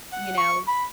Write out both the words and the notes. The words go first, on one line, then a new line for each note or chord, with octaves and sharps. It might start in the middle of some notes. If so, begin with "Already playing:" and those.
You know.
F#5
C#6
B5